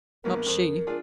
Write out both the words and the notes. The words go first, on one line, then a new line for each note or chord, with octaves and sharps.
Not she.
A#1 A#3 B3 A#4
F2 C5
D4 F4 G#4